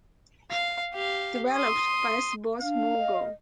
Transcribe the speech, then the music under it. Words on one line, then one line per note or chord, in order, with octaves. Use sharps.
Developed by Sports Mogul.
F5
G4 F5
C6 D#6
D4 F5
D#5